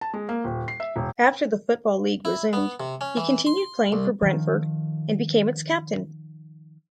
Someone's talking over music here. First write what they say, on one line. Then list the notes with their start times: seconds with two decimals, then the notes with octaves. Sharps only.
After the Football League resumed, he continued playing for Brentford, and became its captain.
0.01 A5
0.14 G#3
0.29 A#3
0.44 D#1
0.68 C7
0.80 E5
0.96 E1
2.25 E4
2.53 B3
2.80 C3
3.01 C#4
3.17 E3
3.47 C6
3.92 C2
4.22 D#3 F3